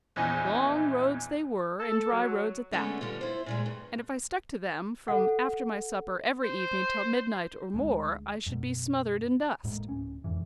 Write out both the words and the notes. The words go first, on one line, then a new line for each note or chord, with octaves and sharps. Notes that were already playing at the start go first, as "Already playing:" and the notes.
"Long roads they were, and dry roads at that, and if I stuck to them from after my supper every evening till midnight or more I should be smothered in dust."
A#1 E2 E3 D#5 G#5
A4
F#3
D3 G#3 A3 B3 C#4
D3 G3 F4
E4 C5
A#2 G3 G#3
G2
A4 F#5
C5
D2 G#3
F#2 B2
G#1 A2 G#3 A#3
D1 C#4
E1 F2 G#2 E3